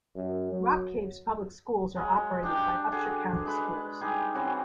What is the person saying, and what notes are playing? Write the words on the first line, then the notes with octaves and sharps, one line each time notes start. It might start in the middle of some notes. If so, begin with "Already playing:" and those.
Rock Cave's public schools are operated by Upshur County Schools.
F#2
F#3
F#3 G#3
D4 G4 G5
D3 F#4 G#4 D6
G#3 B4 A5
G3 D#4 G#4
E3 C4 C#4 F#4